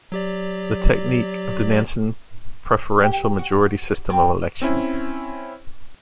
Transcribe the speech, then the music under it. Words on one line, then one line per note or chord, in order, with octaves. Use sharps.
The technique of the Nanson preferential majority system of election.
F#3 G4 D5
G4
F#4
C4
C4 C#4 E4